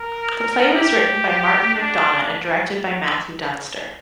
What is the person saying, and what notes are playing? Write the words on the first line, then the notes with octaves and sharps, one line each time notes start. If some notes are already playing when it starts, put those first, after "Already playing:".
The play was written by Martin McDonagh and directed by Matthew Dunster.
Already playing: A#4
G4
D4